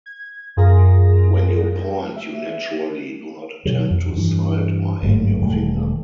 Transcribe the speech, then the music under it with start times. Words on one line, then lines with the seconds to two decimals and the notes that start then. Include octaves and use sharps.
When you point, you naturally do not attempt to sight or aim your finger.
0.06 G#6
0.57 F#2 F4 G#4 A#4 A#6
2.16 E5
3.65 B2 D#3 F#3
3.90 F2
4.16 G2 E3
5.03 G1 G#2 F#3 A3
5.41 E1 D#3 G3 A3